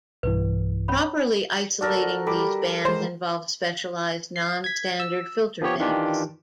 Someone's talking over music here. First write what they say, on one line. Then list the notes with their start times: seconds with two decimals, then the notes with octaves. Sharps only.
Properly isolating these bands involves specialized non-standard filter banks.
0.23 B1 G2 E3 B4
0.88 C#4 C#5 B5
1.81 F#4 A4 A#4 D5
2.27 G3 A4 B5 D6
2.85 E3 G#3 C5
4.36 C7
4.64 G#6 B6
5.00 E6
5.61 F3 B3 G4 C#5
5.80 D#3 E3 D4 F4 G4